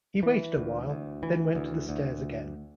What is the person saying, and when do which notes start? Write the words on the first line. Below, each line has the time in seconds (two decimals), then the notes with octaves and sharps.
He waited a while, then went to the stairs again.
0.23 E3
0.57 D2
0.90 D2
1.23 E3
1.55 D2
1.89 D2